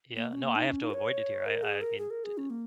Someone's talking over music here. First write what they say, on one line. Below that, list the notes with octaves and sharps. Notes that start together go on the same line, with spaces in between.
Yeah, no, I have to avoid it here. I I mean, t
A#3
C#4
A#3
D#4
C#4
D#4
A#4
C#5
A#4
G#4
A#4
G#4
A#4
G#4
C#4
A#3